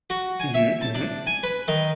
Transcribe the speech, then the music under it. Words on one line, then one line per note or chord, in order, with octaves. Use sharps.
Mhm. Mhm.
F#4
G#5
E5
A5
D4
G#5
B4
D#3